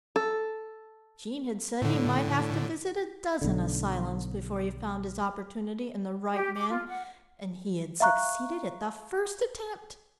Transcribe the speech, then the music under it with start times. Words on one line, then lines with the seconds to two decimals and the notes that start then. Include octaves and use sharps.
Jean had said he might have to visit a dozen asylums before he found his opportunity and the right man, and he had succeeded at the first attempt.
0.16 A4
1.82 A2 D3
3.41 B1 D3
6.33 G4
6.56 D6
6.70 F4
6.87 F#5
8.00 E5 F5 A#5 C#6 F#6